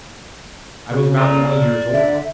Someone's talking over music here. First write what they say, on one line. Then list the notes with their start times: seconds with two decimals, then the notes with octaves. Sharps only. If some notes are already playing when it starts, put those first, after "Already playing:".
I was about twenty years old.
0.91 C#3 F#4
1.19 A4 D5 A#5
1.94 D3 E5